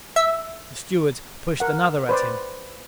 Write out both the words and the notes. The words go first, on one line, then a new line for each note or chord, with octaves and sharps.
The stewards pushed another at him.
E5
A#4 F#5
B4 C5 D5